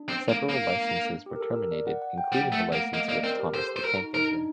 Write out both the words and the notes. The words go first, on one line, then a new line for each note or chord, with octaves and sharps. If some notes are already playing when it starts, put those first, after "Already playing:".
Several licenses were terminated including the license with Thomas the Tank Engine.
Already playing: D4
C4
A#3
A#3
G4
A#4
A4
A#4
D5
F#5
F#5
G5
G3 F#5
A3
A#3
A#3 D#5
A#3 D5
C4 A#4
G4
A4 C5
C5
F#4 A#4
D#4
D#4 A#4
D4